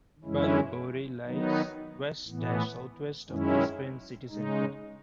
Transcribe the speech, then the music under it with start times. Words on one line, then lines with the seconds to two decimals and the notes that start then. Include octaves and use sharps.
Bellbowrie lies west-southwest of Brisbane's city centre.
0.24 F#2 E3 G#3 C#4 E4
1.26 D#3 F#3 B3 D#4
2.27 A2 E3 B3
3.28 F#2 D#3 G#3 C#4 E4
4.29 C#3 G#3 D#4